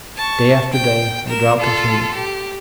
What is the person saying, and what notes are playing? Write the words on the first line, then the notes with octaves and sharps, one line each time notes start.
Day after day the drought continued.
A5 C#6
G5
A#4 E7
F4 A4
G4